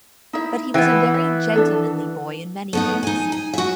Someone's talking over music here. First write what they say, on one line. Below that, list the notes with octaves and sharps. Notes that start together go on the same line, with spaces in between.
But he was a very gentlemanly boy in many things.
D#4 E4 E5
E3 B3 E5 G5
E5
D4 A4 E5
A3 B3 D#4
D#4 G#5
G#5
F#4 E5